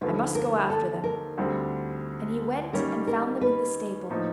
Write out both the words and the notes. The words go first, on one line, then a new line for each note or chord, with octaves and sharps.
'I must go after them.' And he went and found them in the stable.
D#2 D3 F3 A3 B4
A#4
A4
A#4
D2 D3 G3 C4
D#3 G3 A#3 C#4 A#4
A#4
B4
A2 F3 A#3 D#4